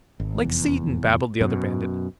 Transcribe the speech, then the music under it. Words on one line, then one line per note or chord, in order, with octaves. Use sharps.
"Like Satan!" babbled the other bandit.
G#1
F1 E2
F#2 B2